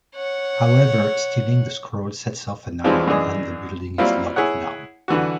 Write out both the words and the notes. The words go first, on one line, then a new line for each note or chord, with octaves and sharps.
However, stealing the scroll sets off an alarm and the building is locked down.
C#5 F#5
E3 F3 G3 G#3 C4 F4
F#2 E3 D4 G#4 D#5
F#3 G3 A#3 C4 E4 F4
E4 G#4 C#5 F#5
D3 E3 G3 F#4